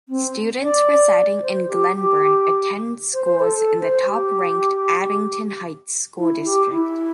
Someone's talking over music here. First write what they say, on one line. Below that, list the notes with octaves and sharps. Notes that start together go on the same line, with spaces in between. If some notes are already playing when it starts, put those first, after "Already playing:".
Students residing in Glenburn attend schools in the top-ranked Abington Heights School District.
C4
D5
C5
G4
G4
C5
C5
A4
A4
C5
G4
E4
G4
E4